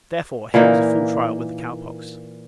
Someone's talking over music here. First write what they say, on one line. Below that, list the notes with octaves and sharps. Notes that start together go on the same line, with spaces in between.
Therefore, here was a full trial with the cow-pox.
A#2 E3 A#3 D#4